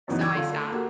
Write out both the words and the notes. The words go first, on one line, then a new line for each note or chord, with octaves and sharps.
So I stopped
F#2 C#3 E3 B3 D#4
C#6 D6 E6 G#6
D3 F4 F5
A3
A#3 F#4 G4